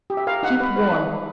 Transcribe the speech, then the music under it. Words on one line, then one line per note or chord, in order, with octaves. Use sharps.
Keep warm.
G4
E5
A#4 F5
D#4 F#5
B4
B4